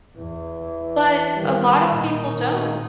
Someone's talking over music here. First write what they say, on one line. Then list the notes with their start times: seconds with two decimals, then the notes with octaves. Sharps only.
But, a lot of people don't.
0.17 E2 E3
1.34 D#3 G3
1.89 A#2 D#4
2.32 D#3